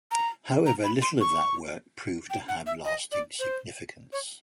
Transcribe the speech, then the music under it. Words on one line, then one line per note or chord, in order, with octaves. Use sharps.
However, little of that work proved to have lasting significance.
A#5
A#5
B5
C6
C#6
G5
F#5
E5
D#5
D5
C5
C#5